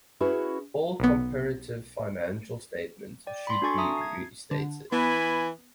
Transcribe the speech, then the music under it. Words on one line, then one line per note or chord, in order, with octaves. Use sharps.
All comparative financial statements should be restated.
C#4 E4 F#4 G#4 B4
B1 B3
D5 G5
B5 C6
D4 F#4 A4 G#5 C#6 A6
E5 A5 A#5 D#6
G#6 C7
D3
E3 B3 G#5 B5